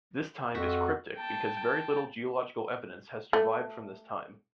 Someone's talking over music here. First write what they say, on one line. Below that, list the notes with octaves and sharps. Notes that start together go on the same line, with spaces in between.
This time is cryptic because very little geological evidence has survived from this time.
F2 F#4 E5
G5 A5
A3